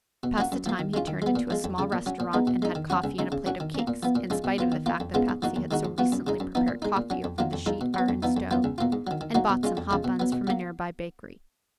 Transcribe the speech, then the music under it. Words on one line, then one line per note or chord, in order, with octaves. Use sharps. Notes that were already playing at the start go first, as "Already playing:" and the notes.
To pass the time he turned into a small restaurant and had coffee and a plate of cakes, in spite of the fact that Patsy had so recently prepared coffee over the sheet-iron stove and brought some hot buns from a near-by bakery.
B2
F#3 A#3 C#4 F#4
F#2
F3 A#3
D#3
G#3 C#4 F4
D#3
G#3 B3
A#2
F3 G#3
F2
C#3 F3
A#2
F#3 C#4
A#2
G#3 B3 D#4
B2
G#3 D#4
D#3
F#3 C#4 F#4
C#2
C#3 G#3 D#4
C#3
F#3 C#4 F#4
D#3
A#3 C#4
A#2
F3 B3
A#2
F3 G#3 C#4
B2
F#3 B3 F4
D#3
A#3 F4
F2
C#3 G#3 B3 F4
G#2
F3 A#3 D#4 F#4
D#2
D#3 G#3 D#4 F#4
G#2
F3 B3 F#4
F#2
C#3 G#3 D#4
F#2
F3 B3 D#4
A#2
G#3 D#4
A#2
F#3 C#4
F2
D#3 F#3 A#3 F4
F2
F3 G#3 D#4
B2
F#3 B3
F2
F3 B3 D#4
F2
F3 B3 F4
C#2
B2 A#3 F4
G#2
D#3 F#3
D#3
F#3 A#3 D#4 F#4
B2
G#3 C#4 F4
F2
C#3 F3 G#3
B2
F#3 B3
B2
F#3 A#3